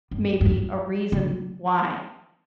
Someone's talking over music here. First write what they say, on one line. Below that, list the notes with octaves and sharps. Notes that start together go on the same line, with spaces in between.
maybe a reason why,
G2
G2
F2
D3